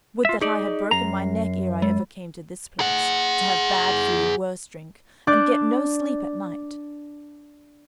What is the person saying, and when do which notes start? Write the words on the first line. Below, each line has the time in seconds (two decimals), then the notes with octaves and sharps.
Would that I had broken my neck ere I ever came to this place, to have bad food, worse drink, and get no sleep at night!
0.25 F4 E5
0.41 D#4 G#4 D5
0.91 F#2 A#5 C7
1.82 G#3
2.80 G#4 F#5
5.27 D4 D5 D6 F#6 G6